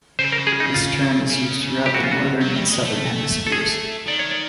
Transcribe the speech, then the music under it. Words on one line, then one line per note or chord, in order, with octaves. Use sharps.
This term is used throughout the northern and southern hemispheres.
C#3 C5
A#4
G#4
D#4
F4
C#3
G4
F#4
F4
F#4
F#3
G3
G#3
A3
A4
G#4
D#3 D5
C#5
D5